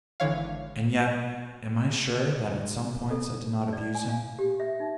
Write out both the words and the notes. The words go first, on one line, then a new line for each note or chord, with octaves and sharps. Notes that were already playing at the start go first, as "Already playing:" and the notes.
And yet, am I sure that at some points I did not abuse him?
G#1 D3 E3 C#5 F5
A4
D5
G#5
F5
G4
E5
D#4